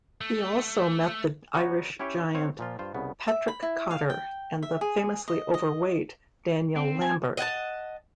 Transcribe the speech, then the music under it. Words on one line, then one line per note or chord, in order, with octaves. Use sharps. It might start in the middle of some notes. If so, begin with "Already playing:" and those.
He also met the Irish giant Patrick Cotter and the famously overweight Daniel Lambert.
A3
B3 D#4 F#4 C#5 G#5
C#4 E4 G4 C#5 G5
C4 C#5 F5
A#2 F3 F4
G2 F4 C5
C2 C#3 B3
E5
B5
E4
F5
G5
E5
G#4
D#5
D#5
C4
G#5
D#5 F#5 G#5 A5